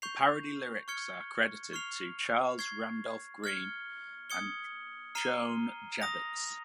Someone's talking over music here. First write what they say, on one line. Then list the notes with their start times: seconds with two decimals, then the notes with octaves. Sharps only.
The parody lyrics are credited to Charles Randolph Grean and Joan Javits.
0.02 C#6 G6 C7 F7
0.88 C#6 F6 G#6 C#7 G7
1.73 C#6 F6 C7 F7
2.59 C#6 G#6 C7
3.44 F6 G#6 C#7 G7
4.30 D#6 G#6 C#7 G7
5.15 A#5 F6 C7 D#7 G7
6.01 D#6 A#6 F7